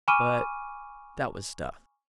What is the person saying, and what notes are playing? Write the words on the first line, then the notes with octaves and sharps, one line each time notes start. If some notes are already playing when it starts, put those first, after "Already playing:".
But that was stuff.
G#5 B5 C#6 D6 F6 D#7